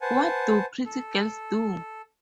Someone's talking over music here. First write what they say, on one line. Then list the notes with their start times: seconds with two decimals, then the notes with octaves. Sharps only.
What Do Pretty Girls Do?
0.01 B4 C5 F#5 G#5 A5
0.85 A4